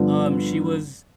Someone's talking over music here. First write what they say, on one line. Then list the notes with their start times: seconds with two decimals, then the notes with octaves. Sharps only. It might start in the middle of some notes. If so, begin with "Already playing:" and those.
um, she was
Already playing: G2 D3 F3 B3